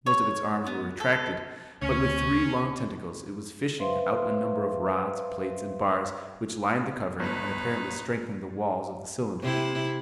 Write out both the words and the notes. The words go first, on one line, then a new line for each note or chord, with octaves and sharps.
Most of its arms were retracted, but with three long tentacles it was fishing out a number of rods, plates, and bars which lined the covering and apparently strengthened the walls of the cylinder.
C#5
B3
A4
D2 C#4
B4 C5 E5 F5 C6
G1 D#4 B4
C3 E4